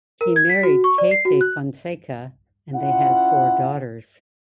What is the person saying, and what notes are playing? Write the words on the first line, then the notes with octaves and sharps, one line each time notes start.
He married Kate de Fonseka and they had four daughters.
A#4
G#6
B6
F#4
C#6
D5
C7
F#4
F#6
C#4 E4 F4 F#5